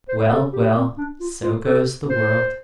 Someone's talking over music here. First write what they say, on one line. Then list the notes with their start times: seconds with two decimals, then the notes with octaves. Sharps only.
Well, well! so goes the world!'
0.09 C5
0.31 A4
0.53 G4
0.76 C4
0.98 D4
1.21 F4
1.43 F4
1.65 A4
2.10 C5